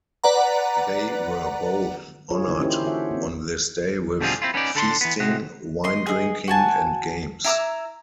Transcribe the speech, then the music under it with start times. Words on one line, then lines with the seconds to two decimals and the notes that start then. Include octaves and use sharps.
They were both honored on this day with feasting, wine-drinking, and games.
0.24 B4 D5 F#5 A#5
2.30 F4 G#4 C#5
2.47 D3 E3 A#3 D#4 E4
2.60 C#4 E4 G4 A#4 C5
2.83 E4 F#4 A4 C#5 E5 F#5
3.11 A#3 C4
4.21 B2 D3 G3 C4 F4 G#4
4.42 C4 E4 F4
4.54 B3 C#4 D#4 D5
4.75 D3 A4 B5 C6
5.01 E3 B3
5.20 C3 G#3 F#4
5.84 D#5 C6
6.06 G#4 D#5
6.48 F#4 G#5 A5
7.44 E4 A#5 D6 E6